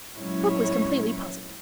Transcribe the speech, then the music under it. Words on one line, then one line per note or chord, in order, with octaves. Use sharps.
Hook was completely puzzled.
A#2 F#3 G#3 C#4 E4 C#5